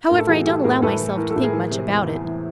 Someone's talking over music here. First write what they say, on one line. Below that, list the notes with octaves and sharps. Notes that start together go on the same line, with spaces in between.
However, I don't allow myself to think much about it.
A2 A#4
A4
E3 F#4 G#4
E3 G4 A4
A2 G#4 A#4
A2 A4 B4
E3
E3 A#4
A4
A2
G#4 A#4
E3
C3
E2
E2
E3